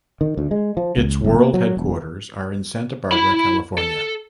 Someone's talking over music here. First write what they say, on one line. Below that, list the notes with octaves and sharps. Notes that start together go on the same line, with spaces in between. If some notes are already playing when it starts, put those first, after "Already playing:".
Its world headquarters are in Santa Barbara, California.
D#3
D2
G#3
F3
C#2
G1
A#3
F#3
E1
E4 B5
A4